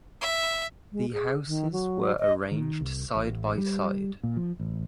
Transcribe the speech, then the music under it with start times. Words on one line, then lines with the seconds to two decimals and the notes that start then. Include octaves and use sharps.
The houses were arranged side by side.
0.21 E5
0.92 G#3
1.13 G#4
1.47 D#3
1.72 F#3
2.19 D#5
2.51 D#3
2.81 C2
3.15 A1
3.58 G3
4.23 A#2
4.37 F3
4.59 A1